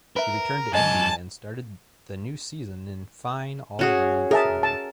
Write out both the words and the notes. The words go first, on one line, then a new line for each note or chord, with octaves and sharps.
He returned to India and started the new season in fine all-round form.
A#4 B4 E5
F#2 G#3 A4 D#5 G#5 A5
C#4 F#4 G#4
G#4 A#4 E5 A5
A5